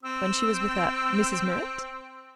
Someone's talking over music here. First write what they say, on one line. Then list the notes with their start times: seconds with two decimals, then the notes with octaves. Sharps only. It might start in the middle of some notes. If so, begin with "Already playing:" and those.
"When she was with a Mrs. Murrett?"
0.03 C4 E6